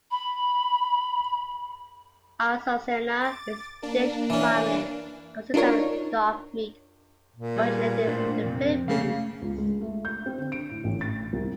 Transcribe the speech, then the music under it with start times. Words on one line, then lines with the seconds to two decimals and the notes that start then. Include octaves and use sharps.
Asocena is a dish primarily consisting of dog meat originating from the Philippines.
0.11 B5
3.21 D6 A6
3.82 A#3 D4
4.30 E3 C#4
5.54 D4 D#4 F4 A#4 C#5
7.36 A#2
7.56 G3 G#4 B4
8.07 A2 D4 C5
8.44 F2 C3 C4
8.88 C#3 A3 A#3 F5
9.42 C#2
9.58 G#3
9.81 A3
10.05 G6
10.26 C4
10.38 D3
10.52 D7
10.71 A2
10.84 A1
11.01 A6
11.33 C2